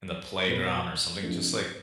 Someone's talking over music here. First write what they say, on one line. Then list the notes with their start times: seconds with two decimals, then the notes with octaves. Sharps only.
in the playground, or something, just, like
0.48 B2 A3 E4 B4
1.23 C3 F3 A3 D4